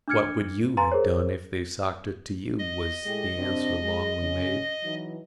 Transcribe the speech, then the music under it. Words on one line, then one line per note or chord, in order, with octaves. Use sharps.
"What would you have done if they'd socked it to you?" was the answer Longley made.
D4 D6 F6 G#6 C#7
B4 F5 G#5 A#5 C6 A6
G#4 A#4 C5 C#5
D#5
A2 G#3 G4
C3 C4 D4
G#3
C#3 C#4
E3 F#3 D#4